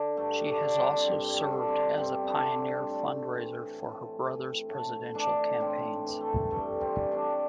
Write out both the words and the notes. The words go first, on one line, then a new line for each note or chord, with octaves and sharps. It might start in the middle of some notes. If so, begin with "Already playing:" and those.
She has also served as a pioneer fundraiser for her brother's presidential campaigns.
Already playing: D3
G2 A3
A3 D4
D3
G3 C4
G2 G3
G3 A3
D3
G3 C4
G2 C4 E4
A3 C4 D4
D3
G3 C4
G3
A2 A3
E3
A2
E3
A2 A3
E3 A3 D4
A2 C4 E4
E3
A3
G2 A3
G3 C4
E3
A3 D4
A3